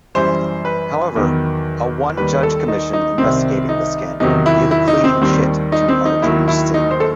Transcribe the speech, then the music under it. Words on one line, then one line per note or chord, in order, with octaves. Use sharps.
However, a one-judge commission investigating the scandal gave a clean chit to Arjun Singh.
F#2 E3 G3 C5
B4
E2 D#3 F#3
D#2 D#3 G3 B4
A4
D#4
D#4
C2 C3 D#3 C4
D#4
E2 C3 D#3 F#3 D#4
E4
E4
D#4
C4
D#2 D#3 G3 C4
D#4
C4
D#4
D#2 D#3 F#3 E4
E4
D#4
C5
A4